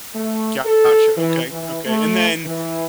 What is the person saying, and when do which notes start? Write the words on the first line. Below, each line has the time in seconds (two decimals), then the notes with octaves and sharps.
Gotcha, okay, okay, and then
0.14 A3
0.64 A4
1.16 E3
1.51 E3
1.86 A3
2.45 E3